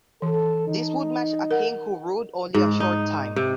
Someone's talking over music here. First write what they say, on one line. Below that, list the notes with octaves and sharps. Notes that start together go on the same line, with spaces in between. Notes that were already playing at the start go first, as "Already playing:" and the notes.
This would match a king who ruled only a short time.
E3 A4
D#4
A#4 F#5
G#2
D#4
C3